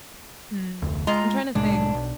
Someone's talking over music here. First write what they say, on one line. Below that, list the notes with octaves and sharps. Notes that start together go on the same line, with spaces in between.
hmm. I'm trying to think.
F1 D2
G#3 F4 D#5 A#5
C2 A2 G#3 D4
B1